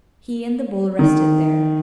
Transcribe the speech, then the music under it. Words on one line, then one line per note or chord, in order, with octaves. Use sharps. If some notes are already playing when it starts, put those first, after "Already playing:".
He and the bull rested there.
D#3